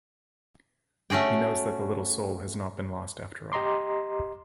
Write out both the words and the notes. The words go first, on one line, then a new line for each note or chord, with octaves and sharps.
He knows that the little soul has not been lost after all.
A3 C#4 F#4 G#4 G5
G4 D#5 A#5 C6 D6